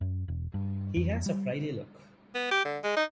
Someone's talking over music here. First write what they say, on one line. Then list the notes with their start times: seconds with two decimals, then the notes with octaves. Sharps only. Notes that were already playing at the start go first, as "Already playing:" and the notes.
He has a Friday look.
0.01 F#2
0.28 E1
0.54 G2
0.96 F2
1.26 G3
2.35 B3
2.51 G4
2.65 D3
2.83 G#3
2.96 D#4